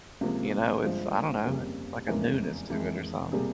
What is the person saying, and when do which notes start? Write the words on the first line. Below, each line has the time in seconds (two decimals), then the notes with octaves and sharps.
you know, it's, I don't know, like a newness to or something
0.21 C#2 C3 F3 A#3
0.83 G1 G2 F3 G#3 C5
1.46 F2 C#3 G3 A#3
2.08 F1 E2 C#3 E3 G#3 A#4
2.70 F2 E3 G#3
3.32 C3 G3 A#3 G#4